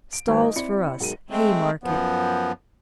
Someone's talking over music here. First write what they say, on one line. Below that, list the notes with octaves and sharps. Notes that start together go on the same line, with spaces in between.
Stalls for us, Haymarket.
D7
G#1 B4 C5 G#5
D#5
C4 E4 D5 B5 C#7
B1 G#3 A#4 D#7
G#3 A3 C4
F#2 F3 B3